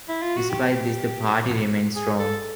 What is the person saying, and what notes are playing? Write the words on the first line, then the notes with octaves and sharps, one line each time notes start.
Despite this, the party remained strong.
E4
F4
F#4
G4
G#4
A4